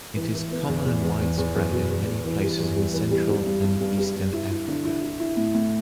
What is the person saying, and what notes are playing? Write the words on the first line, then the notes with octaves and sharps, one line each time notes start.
It is common and widespread in many places in central and eastern Africa.
E3
E3
B3
E2
E2
E2
E2
E2
E2
B2
E2
B2
E3
G3
E2
G3
E3
G3
G3
G2
G2
G2
G3
G2
E4
E4
D3
E4
E4
E4
A2
A2